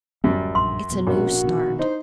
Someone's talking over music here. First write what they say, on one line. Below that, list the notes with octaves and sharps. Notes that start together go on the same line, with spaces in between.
It's a new start.
D1 F#2 G3
A#1 G2 C6
F2 B2
A#1 B2 C#4 F#4
B2 D#3
D#4 C5